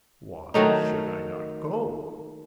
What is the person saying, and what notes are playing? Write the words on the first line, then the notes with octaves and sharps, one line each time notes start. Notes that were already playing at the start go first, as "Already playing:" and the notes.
"Why should I not go?"
D#3 F#3 A3 D#4